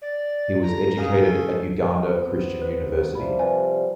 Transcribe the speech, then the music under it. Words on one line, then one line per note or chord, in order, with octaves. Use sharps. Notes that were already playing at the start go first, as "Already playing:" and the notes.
He was educated at Uganda Christian University.
D5
D3 A#5
C#3 A#4 F5 D#6
A4
B3 C4
B4
C3 F3 G3 B5
B4 D5 G#5